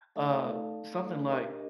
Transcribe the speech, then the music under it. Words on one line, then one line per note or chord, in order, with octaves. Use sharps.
uh, something like,
A3 D#4 A4 D5 F5
D4 G4 A#4 D#5